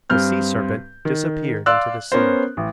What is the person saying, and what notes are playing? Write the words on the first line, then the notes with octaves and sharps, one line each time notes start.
The sea serpent disappeared into the sea.
G2 C4 F6 G6
D#3
D5 F5 C6 E6 F#6
B3 C#4 A#4 C5
A1